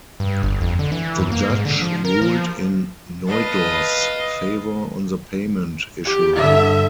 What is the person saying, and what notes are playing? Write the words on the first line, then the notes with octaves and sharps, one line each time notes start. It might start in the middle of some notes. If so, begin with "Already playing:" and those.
The judge ruled in Neudorf's favour on the payment issue.
G2
G1
F2
D3
E3
F#2
A#3
G#2
D3
F3
A#4
F3
B4 D#5 F5 A5
G4
G2 D3 E5